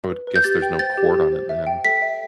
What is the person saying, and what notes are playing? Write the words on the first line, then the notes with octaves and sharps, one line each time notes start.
I would guess there's no cord on it then,
B4
B4
G6
G4 A6
G5
C5 A6
G4
G4
C5
E5
G5
A4 B6
E5